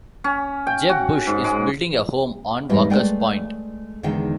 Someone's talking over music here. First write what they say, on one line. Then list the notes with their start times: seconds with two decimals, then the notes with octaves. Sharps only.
Jeb Bush is building a home on Walker's Point.
0.24 C#4
0.67 G5
0.89 F#4
1.27 G#2
1.44 G#3
2.69 E2 G#2 G3 E4 B4 D#5
2.90 G#3 A3 B4 D5 G5 G#5
4.03 E2 D3 D#3 G#3 D#4 G5